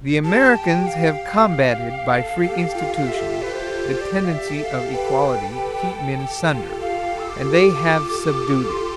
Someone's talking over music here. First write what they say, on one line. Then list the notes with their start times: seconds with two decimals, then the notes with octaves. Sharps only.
The Americans have combated by free institutions the tendency of equality to keep men asunder, and they have subdued it.
0.24 G4 A5
0.56 G5
0.87 F5
2.12 A4
2.43 G4
2.75 F4
2.96 F5
3.07 E5
3.42 B4
3.53 C5
4.01 G4 D5
4.25 F5
4.31 E5
4.47 A4
4.63 F5
4.94 B4 G5
5.87 A4
6.20 G4
6.51 F4
6.81 F5
7.19 E6
7.29 D6
8.69 C6